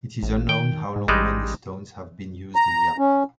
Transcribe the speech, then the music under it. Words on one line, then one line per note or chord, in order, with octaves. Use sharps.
It is unknown how long money stones have been used in Yap.
A1
D#3 G5
G#2
A1 G3 G#3 D#4
A#5
C#4